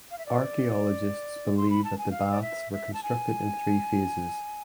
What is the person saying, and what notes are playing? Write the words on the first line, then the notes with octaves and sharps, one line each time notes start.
Archaeologists believe that the baths were constructed in three phases.
F5
E5
D5
C6
B5
A5
G#5
F5
D5
E5
E5
A5
G#5